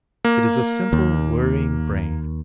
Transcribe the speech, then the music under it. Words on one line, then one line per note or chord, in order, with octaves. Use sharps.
It is a simple, worrying brain.
A#3
D#2